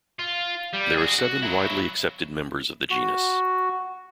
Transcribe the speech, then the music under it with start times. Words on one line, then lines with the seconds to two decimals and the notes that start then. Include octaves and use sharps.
There are seven widely accepted members of the genus.
0.19 F4
0.74 G3
0.98 F#4 G#4
1.19 F#4
1.43 F#3 E4
2.91 F#4